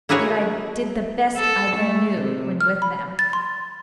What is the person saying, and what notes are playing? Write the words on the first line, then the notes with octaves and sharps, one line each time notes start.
Yet I did the best I then knew, when with them.
A#3 E4 F#4 G#4 C#5
A4
A3
C3
F6
B5
A6
C6